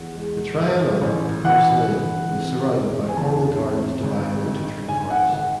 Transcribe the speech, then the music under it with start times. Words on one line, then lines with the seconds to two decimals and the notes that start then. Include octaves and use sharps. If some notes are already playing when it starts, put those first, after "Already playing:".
The Trianon de Porcelaine was surrounded by formal gardens divided into three parts.
Already playing: E2 F#5
0.16 G#3
0.59 G#2
1.01 A1
1.44 E3 F#5
1.88 E3
2.31 C3
2.73 E2
3.09 G#5
3.17 E2 A5
3.60 C3
4.03 G#1
4.46 D#3
4.89 G#1 G#5
5.10 F#5
5.32 D#3 F#5